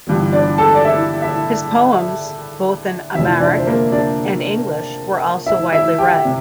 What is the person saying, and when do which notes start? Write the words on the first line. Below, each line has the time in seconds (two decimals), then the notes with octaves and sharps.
His poems, both in Amharic and English, were also widely read.
0.07 G1 G2 E3
0.33 D4 D5
0.58 A4 A5
0.75 D5
0.85 E4 E5
1.22 E4 E5
3.15 F1 F2 E3 E4 E5
3.40 D4 D5
3.58 C5
3.66 A#3 A#4
3.92 D4 D5
5.46 E4 E5
5.72 E4 E5
5.98 G4 G5
6.25 C3